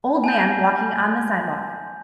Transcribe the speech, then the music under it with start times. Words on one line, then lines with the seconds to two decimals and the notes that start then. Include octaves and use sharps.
Old man walking on the sidewalk.
0.24 G#5 A5 G6